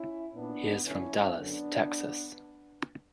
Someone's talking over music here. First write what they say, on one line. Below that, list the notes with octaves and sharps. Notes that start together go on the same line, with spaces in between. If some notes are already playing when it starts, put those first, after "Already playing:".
He is from Dallas, Texas.
Already playing: C#4 E4
A#2 B3 D4
F#2 D3 C#4 E4
F#2 D3 B3 D4